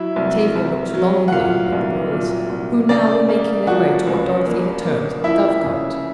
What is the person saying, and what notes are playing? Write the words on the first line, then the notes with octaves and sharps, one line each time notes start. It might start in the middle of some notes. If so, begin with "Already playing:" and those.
Tavia looked longingly at the boys, who now were making their way to what Dorothy had termed the Dove Cote.
Already playing: F#3 E4 E5
C2
C2
F#3
F#5
A#2 F4 F5
C2
A#2
C2
C#3 D5
A#3
F3 F#4 F#5
C#2
A#3
A#3
F3 E4 E5
C#3